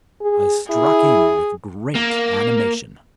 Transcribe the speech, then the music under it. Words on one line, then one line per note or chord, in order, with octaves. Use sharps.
I struck in with great animation.
G#4
E4 G#4
A#3